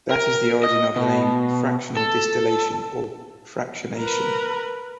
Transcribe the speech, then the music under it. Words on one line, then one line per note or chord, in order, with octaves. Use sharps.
That is the origin of the name "fractional distillation" or "fractionation".
A#4
D#5
B2
A4
A#4 B4